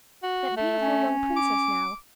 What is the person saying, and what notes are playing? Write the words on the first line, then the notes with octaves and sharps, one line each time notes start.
That beautiful young princess, now!
F#4
A3
C#4
D6